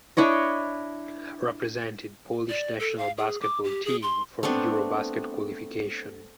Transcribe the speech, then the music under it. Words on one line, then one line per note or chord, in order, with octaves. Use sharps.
Represented Polish national basketball team for Eurobasket qualification.
D4 E4 C#5 D#5
D5
A4
F5
G#4
D6
G4
G#4
C6
A3 B3 C4 D4